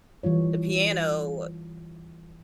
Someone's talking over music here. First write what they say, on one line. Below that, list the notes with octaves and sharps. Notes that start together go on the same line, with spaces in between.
the piano.
E3 G3 F4 C#5